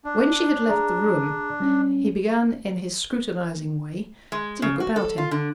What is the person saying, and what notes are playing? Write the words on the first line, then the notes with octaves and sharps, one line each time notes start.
When she had left the room, he began in his scrutinising way to look about him.
D4
G#4 D5 A#5
G3 C#4
G#3
C#3
F#4
A4
F4
D3